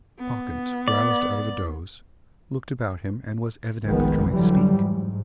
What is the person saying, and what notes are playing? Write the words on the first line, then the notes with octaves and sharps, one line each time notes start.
Hawkins roused out of a doze, looked about him and was evidently trying to speak.
B3
D5
F1 A#1 D#3 G#3 B3
D3 E3 F#3 G3
G#2